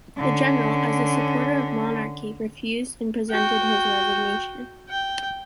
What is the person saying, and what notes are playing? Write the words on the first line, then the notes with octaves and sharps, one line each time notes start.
The General, as a supporter of monarchy, refused and presented his resignation.
D3 C#4
F#4 G5
G5